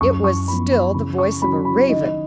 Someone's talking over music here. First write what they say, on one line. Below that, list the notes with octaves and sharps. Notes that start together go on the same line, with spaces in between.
It was still the voice of a raven!
F#2 C#6
C#6
F3 B3 B5
B5
C#3 B5
C#6
F#3 C#4 B5
B5
D#3 D#5